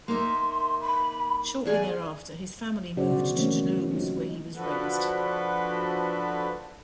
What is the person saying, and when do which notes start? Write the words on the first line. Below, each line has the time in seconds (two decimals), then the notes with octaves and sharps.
Shortly thereafter, his family moved to Toulouse, where he was raised.
0.08 A#3 D#4 E5 C6
0.81 B5
1.65 E2 G#4 D5 G#5
2.97 C#3 F#4 C5 D5
3.10 B2 D3 D#3 F#3
3.35 E3 F#3 A3 A#3 C4 C#4
3.91 F#3 C4 D#4 F4
4.55 D3 F3 F#4 A4 B4